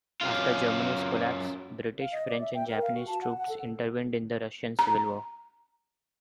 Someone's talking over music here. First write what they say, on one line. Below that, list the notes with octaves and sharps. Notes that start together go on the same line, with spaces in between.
After Germany's collapse, British, French and Japanese troops intervened in the Russian Civil War.
F#2 F4
F5
D#5
D5
E5
G5
A#4
F5
F#4
A5
F#5
F#5
A4
A#5